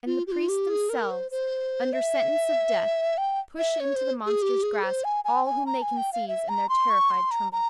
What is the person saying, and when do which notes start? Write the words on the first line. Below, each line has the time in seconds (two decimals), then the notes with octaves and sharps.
And the priests, themselves under sentence of death, push into the monster's grasp all whom they can seize in their terrified, trembling fingers.
0.06 F4
0.27 G4
0.32 F4
0.49 G4
0.69 G#4
0.90 A#4
1.11 C5
1.31 C5
1.93 E5
3.18 G5
3.58 E5
3.80 C#5
3.96 C5
4.26 G#4
4.42 G4
4.63 G#4
4.84 C5
5.04 G#5
5.25 G#5
5.46 G#5
5.67 A#5
5.82 G#5
5.97 G5
6.13 F5
6.28 E5
6.49 A#5
6.69 C6
6.90 C#6
7.10 C6
7.31 A#5
7.53 A#5